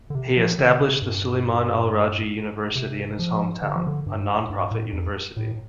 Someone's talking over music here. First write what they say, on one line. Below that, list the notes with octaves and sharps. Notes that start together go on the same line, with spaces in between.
He established the Sulaiman Al Rajhi University in his hometown, a non profit university.
D3
C3
F3
D3
C3
G2
C3
F3
D3
F3
D3
G2
G2
A2
F2
A2